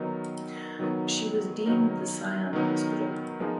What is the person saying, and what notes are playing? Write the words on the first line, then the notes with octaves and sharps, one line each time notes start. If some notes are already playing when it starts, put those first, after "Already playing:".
She was dean of the Sion hospital.
Already playing: D#3 F#3 B3 D#4 A#4
D#3 F#3 B3 D#4 A#4
D#3 F#3 B3 D#4 A#4
D#3 F#3 B3 D#4 A#4
F3 G#3 B3 D#4 A#4